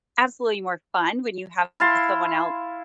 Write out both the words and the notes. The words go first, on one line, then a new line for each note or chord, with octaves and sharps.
absolutely more fun when you have someone else
E4 F5 A5 C6